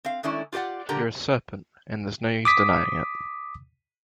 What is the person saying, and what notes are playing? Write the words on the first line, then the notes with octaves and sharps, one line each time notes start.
You’re a serpent; and there’s no use denying it.
C4 F5
D#3 G#3 A3 C#4 E4 D5
F4 G4 A#4 D5 F#5
A#2 D3 G4 A#4 F#5 A#5
D6 D#6 B6